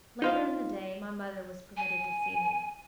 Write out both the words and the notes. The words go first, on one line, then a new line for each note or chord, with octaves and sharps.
Later in the day, my mother was permitted to see me.
D#4 F4 F5
G#5